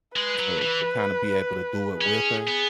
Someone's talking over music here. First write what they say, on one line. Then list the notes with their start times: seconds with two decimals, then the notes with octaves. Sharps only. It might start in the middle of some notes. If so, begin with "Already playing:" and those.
to to kinda be able to do it with her,
0.15 G#3 B4
0.39 F#3
0.62 E3
2.01 C#4 G#4
2.48 B3